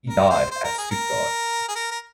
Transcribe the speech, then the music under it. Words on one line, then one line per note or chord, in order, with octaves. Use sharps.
He died at Stuttgart.
A#4
C5
C5
A#4
G#4
A#4
G#4
A#4
A#4